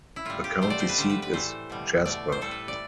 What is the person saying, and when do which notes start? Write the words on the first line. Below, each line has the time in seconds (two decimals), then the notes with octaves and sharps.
The county seat is Jasper.
0.16 E4
0.25 A2 G3 F4
0.44 G4
0.62 B2 A3 C5
0.70 D5
0.80 C5
0.89 B4
0.97 D3 G3 C5
1.10 B4
1.22 B4
1.33 A2 E3 A3 C5
1.70 B2 G3
2.05 B2 A3 D5
2.32 C5
2.41 A2 G3 A4
2.51 B4
2.68 D5